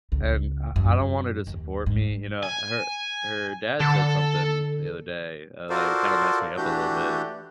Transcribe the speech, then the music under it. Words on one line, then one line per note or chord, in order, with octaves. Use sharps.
And I I don't want her to support me, you know? Her her dad said something the other day, uh, like, kinda messed me up a little bit,
C#2
F#2
D#2
G#2
G#5
D3 A4
F4 F#4 A4 A#4 C5 D5
E3 A3 D4 F#4 G4 G6